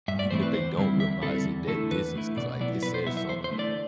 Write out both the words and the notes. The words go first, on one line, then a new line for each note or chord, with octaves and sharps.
even if they don't realize it, that distance is like, it says something.
G2 E5
D5
E3 A3 C4 E4 C5
B4
E2 C5
D3 G3 C4 E4
E2 E5
D3 G3 C4 E4 A4
E2
D3 A3 E4 A4
E2 B4
D3 A3 E4
B2 D5
F#3 B3 E4 D5
B2 B4
C5
F#3 B3 E4 E5
E5
E2 C5
C5
D3 A3 E4
D5